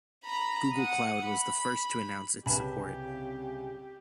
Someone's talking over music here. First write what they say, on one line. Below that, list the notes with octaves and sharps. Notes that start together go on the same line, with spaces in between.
Google Cloud was the first to announce its support.
A#5 B5
F#5 D#6
B5
C2 C#3 G4 B4 G#5 A5 B5 B6